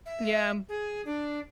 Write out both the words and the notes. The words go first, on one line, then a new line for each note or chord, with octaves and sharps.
Yeah, um
E5
G#4
D4